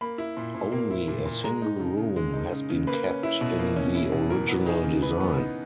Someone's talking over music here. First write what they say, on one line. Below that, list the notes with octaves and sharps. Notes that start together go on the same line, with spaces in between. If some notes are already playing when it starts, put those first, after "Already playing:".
Only a single room has been kept in the original design.
A#3 B5
E4
A#2
A#2
A#3
E4
A#2
A#2
G#3 A#5
D#4
C#3
C#3
G#3
D#4
C#3
C#3
A#3 B4
C#4
E4
B2
A#3
C#4
E4
B2
E3 A#4
B3
D#4 G#4
C#3
E3 B4
B3
D#4